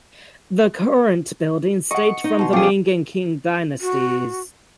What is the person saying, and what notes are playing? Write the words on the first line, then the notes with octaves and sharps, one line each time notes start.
The current buildings date from the Ming and Qing dynasties.
D#5 F#5 C#6
D#4
B2 C6
F3 G3 C#4 F4 G4 G#4
F#4